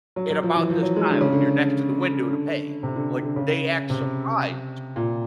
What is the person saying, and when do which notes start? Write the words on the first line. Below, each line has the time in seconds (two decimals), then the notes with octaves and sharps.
in about this time when you're next to the window to pay?" Like, they act surprised.
0.16 F#3
0.30 F#3
0.43 F3
0.56 E3
0.70 F3
0.82 F#3
0.96 G#3
1.10 D3
1.21 C#3
1.33 D3
2.30 D3
2.83 C3
2.96 D3
3.23 D3
3.36 C#3
3.90 C3
4.96 A#2